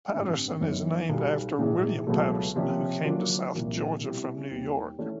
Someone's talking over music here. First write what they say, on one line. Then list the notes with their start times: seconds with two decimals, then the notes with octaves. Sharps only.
Patterson is named after William Patterson, who came to South Georgia from New York.
0.11 A1 G2 D3 G3 C4
0.61 F#2 D#3 F#3 B3 D#4
1.09 B1 B2 G3
1.58 A#1 G#2 E3 G#3
2.07 C#2 B2 F#3 A3
2.56 C3 F3 A#3 C#4
3.05 D3 F#3 A#3 D4 F4
3.53 C2 A#2 F3 A#3
4.01 B2 G3 C4 E4
4.51 D#2 D#3 G3
4.99 E3 A3 C#4